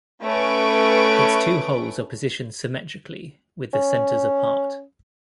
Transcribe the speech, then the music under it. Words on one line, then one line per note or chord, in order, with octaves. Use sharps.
Its two holes are positioned symmetrically, with the centers apart.
A3 C#4 B4 C#6 D7
C#4